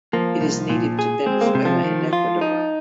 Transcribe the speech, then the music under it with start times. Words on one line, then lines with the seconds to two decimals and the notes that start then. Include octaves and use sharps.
It is native to Venezuela and Ecuador.
0.13 F3 A#3
0.41 C2
0.70 A#2
0.99 G#4
1.26 G#3 C4
1.41 A#3
1.46 G#3
1.55 C3
1.65 F3
1.84 D#3
2.13 F4
2.41 D#4